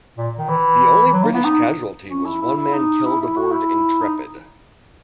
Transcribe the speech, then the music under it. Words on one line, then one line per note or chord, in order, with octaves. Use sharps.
The only British casualty was one man killed aboard "Intrepid".
A#2
D#3
E3
E3
F#3
A#3
B3
D#4
C#4
E4
E4
E4
D#4
E4
E4
F#4
E4
D#4